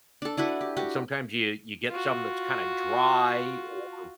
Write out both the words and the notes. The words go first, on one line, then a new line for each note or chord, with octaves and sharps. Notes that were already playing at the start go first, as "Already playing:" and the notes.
and sometimes you you get something that's kinda dry or
D4 A4
D4 E4 F#4 B4
G4
F#4 G4
F4 F#4